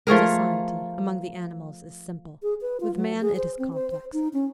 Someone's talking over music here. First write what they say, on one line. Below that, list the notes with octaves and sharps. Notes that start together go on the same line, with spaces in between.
Society, among the animals, is SIMPLE; with man it is COMPLEX.
F3 A3 G#4 A#4
G#4
B4
F4
F#3
G#4
C5
C4
C5
C5
D#4
C#4